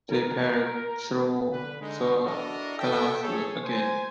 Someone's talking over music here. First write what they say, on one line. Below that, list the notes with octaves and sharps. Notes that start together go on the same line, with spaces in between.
They peered through the glass again.
A#4
D3 B4
D3 G#3 D#4
D4 E4 F#4 A4 A#4 D#5
A4 E5 G5
G#4 A4 C#5
C5 G#5